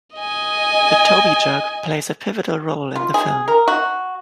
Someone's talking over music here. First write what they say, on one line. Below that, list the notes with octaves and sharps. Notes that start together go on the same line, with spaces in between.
The Toby Jug plays a pivotal role in the film.
D#5 G#5
F4
G#4
A#4
F#4